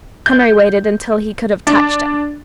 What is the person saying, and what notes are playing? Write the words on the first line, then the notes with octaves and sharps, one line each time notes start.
Henry waited until he could have touched him.
G6
D4